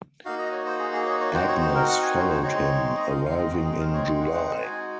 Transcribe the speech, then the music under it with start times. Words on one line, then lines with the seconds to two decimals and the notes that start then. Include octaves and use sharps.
Agnes followed him, arriving in July.
0.25 A#3 D#4 F#4 F5
0.39 D#5
0.52 C#5
0.66 C5
0.79 G#4
0.92 G#4
1.06 C#5
1.20 C#5
1.34 C4 D#4 F#4 C5
1.48 C#5
1.61 C5
1.75 A#4
1.89 F#5
2.03 G#5
2.16 C#5
2.29 C5
2.43 G#3 C4 D#4 C#5
2.97 D#5
3.11 F5
3.25 F5
3.38 D#5
3.52 G#3 C4 D#4 F#4
3.65 G#4
3.80 A#4
3.94 C#5
4.21 F#5
4.34 F#5
4.48 F#5
4.61 G#3 D#4 F#4 G#5